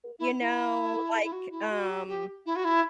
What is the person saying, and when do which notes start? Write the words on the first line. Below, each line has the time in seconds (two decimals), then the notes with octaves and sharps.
you know, like, um,
0.19 E4
0.39 E4
1.23 E4
1.32 F#4
1.51 E4
1.70 F#4
1.89 G4
2.07 G4
2.45 E4
2.55 F#4
2.64 E4